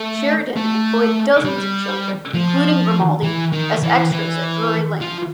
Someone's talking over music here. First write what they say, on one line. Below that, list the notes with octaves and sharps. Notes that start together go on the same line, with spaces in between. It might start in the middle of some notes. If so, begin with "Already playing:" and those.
Sheridan employed dozens of children, including Grimaldi, as extras at Drury Lane.
Already playing: A3
A3
G3
F3
E3
D#3
E3
E3
F3